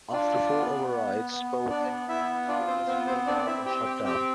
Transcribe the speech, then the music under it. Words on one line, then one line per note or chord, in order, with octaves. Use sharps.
After four overrides, both engines experienced flameout and shut down.
D4 F4 D5
B3
B3
B3
B3 D4 D5
B3 E4 E5
D4 F4 D5
C4 C5
B3 C4 C5
C4 C5
C4 D4 D5
D5
E4 E5
C4 G4 G5
G4 G5
C4 G4 G5